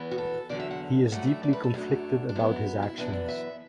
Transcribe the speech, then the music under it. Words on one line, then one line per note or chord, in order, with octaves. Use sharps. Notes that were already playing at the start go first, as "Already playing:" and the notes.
He is deeply conflicted about his actions.
Already playing: E2 E3 B3
F#4
A4
E2 D3 F#3 D5
E5
F#5
A2 F#3 A3 D4 F#5
E5
D5
B4
A4
F#2 F#3 A3 D4
D4
F#2 F#3 B3 E4
E4
F#2 E3 B3 D4 E4
D4
E5